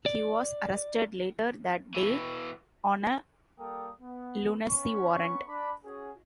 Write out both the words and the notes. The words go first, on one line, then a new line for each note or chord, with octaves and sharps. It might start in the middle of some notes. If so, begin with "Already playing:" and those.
He was arrested later that day on a lunacy warrant.
D5
B2 E3
G3 A#3 A4 A#4 G5 D#6
B3
B3 C#4 B5 C#6
D4 B5
C#4 F#4 G#4